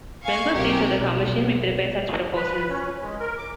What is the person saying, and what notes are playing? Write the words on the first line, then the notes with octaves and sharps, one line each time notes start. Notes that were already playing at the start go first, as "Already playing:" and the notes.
Member States or the Commission may prepare such proposals.
F5 G#5 C#6
B1 C3 G4 A#4
B1
B4
C#4
G#3
A#4
D6